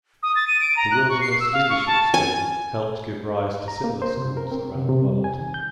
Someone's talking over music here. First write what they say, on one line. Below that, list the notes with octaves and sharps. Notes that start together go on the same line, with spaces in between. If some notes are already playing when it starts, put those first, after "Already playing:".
The Wilderness Leadership School helped give rise to similar schools around the world.
D#6
A6
D#7
D7
A#5
F#6
C#6
C7
E6
F5
C#6
A5
G#5
A#5
A#3
C5
C3
A#4
C4
C3
C3
G3
G#5
D#3
G6